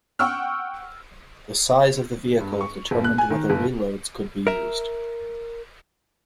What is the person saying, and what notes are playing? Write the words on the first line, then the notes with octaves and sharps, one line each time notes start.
The size of the vehicle determined whether reloads could be used.
F#5 G5 C#6 E6 F6
G2
C#6
G1
F#6
G#5
D#3
G1
A#4 E5